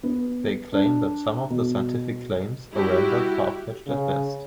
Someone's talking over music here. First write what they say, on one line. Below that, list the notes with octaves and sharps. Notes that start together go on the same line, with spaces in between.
They claim that some of the scientific claims are rendered far-fetched at best.
B3
D4
B2
G3 E4 F#4 G4
C#3